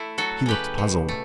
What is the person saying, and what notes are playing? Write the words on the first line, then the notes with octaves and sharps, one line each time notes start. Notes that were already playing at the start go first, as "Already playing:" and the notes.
He looked puzzled.
Already playing: A3 E4
F#3 F#4 A4
C#3 G4 B4
B2
A3